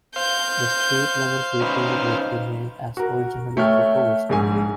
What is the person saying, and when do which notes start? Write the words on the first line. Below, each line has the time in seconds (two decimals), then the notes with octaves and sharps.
The street-level retail would remain as originally proposed.
0.16 C5 F5 G6
1.61 C#4 D#4 B4
2.97 F#4 A#4
3.57 A3 C#5 G5 F6
4.29 A#1 G#2 G#5